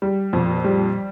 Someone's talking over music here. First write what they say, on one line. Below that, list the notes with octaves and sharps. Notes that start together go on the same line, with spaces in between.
Oh, really? Wow.
G3
F2
G3